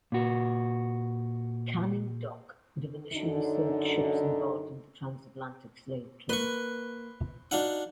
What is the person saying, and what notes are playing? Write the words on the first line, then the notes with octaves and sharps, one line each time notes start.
Canning Dock would have initially served ships involved in the trans Atlantic slave trade.
A#2 F#4
F#2 D3 D#4
A#3 B4 C6 C#6
D4 D#4 F#4 F5 F#5